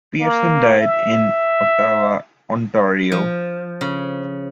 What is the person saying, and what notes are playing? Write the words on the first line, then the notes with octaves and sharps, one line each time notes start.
Pearson died in Ottawa, Ontario.
A#3
E5
F3
C#3